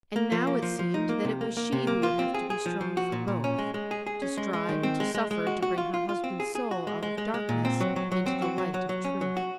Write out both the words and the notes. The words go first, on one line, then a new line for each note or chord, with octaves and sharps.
And now it seemed that it was she who would have to be strong for both; to strive and to suffer to bring her husband's soul out of darkness into the light of truth.
A#3
F3
A#3
F3
F3
D#4
A#3
C3
A#3
A#3
C3
A#3
F4
C4
G#4
G#4
F3
F3
F#4
A#2
A#2
C#4
G#3
G#3
G#4
G#4
C#4
G#3
G#3
D#3
C4
G#3
G#3
G#3
F#4
F#4
F4
F4
F4
C4
G#4
G#4
F#4
G#3
G#3
G#3
G#3
A#2
C4
F#3
F#3
F#3
C4
F#4
F#3
F#3
F#3
C#4
F#3
F#4